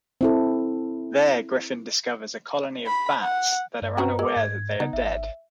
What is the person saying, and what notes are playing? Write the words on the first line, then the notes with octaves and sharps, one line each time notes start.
There, Griffin discovers a colony of bats that are unaware that they are dead.
C4 E4 A4
B5
F#5
G2
C4 C#4 F#4 B4 C5 A#5
G#3 A#4 D6
G#2 G#6
C#3 B3 D#4
G#1 E5